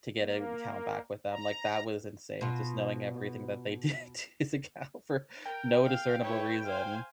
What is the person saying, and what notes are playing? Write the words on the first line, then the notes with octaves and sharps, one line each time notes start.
to get an account back with them. Like, that was insane, just knowing everything that they did to his account for no discernible reason.
A#3
A#5
B2 F4
A#4 G5
F5
E4 B4 C#5
C5 F5 G#5